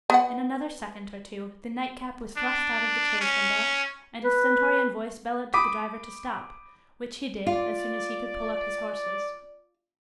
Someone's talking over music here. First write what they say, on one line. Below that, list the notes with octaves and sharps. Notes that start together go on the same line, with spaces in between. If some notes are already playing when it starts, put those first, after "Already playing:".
In another second or two, the nightcap was thrust out of the chaise-window, and a stentorian voice bellowed to the driver to stop: which he did, as soon as he could pull up his horses.
B3 F#5
D4
C#4
B4
B5 D6 D#6 B6
F4 D5